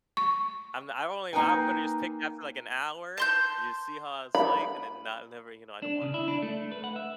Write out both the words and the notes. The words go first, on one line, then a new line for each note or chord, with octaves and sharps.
I'm I'm only I'm gonna just pick that for, like, an hour to just see how it's, like, and then not never, you know, I don't want it again.
C#6
A#3 D#4 B4 G5 G#5
A5 C6 G6
B5
D4
C#3
E4
D4
A3
B4
F#5
E5